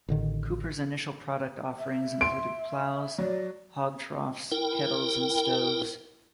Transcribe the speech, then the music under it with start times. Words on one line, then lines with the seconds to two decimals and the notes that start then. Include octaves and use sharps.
Cooper's initial product offerings included plows, hog troughs, kettles and stoves.
0.08 A1 D3 D#3
1.78 E5
2.21 C6 D7
3.18 F#3 D5
4.51 E4 A#4 G5